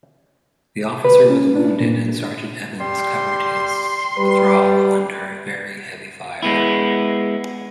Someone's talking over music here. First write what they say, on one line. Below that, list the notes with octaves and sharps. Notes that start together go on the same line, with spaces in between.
The officer was wounded and Sergeant Evans covered his withdrawal under very heavy fire.
B4
C#4
D4
A#2
G3 C6
G3 B4
G#3 B3 E4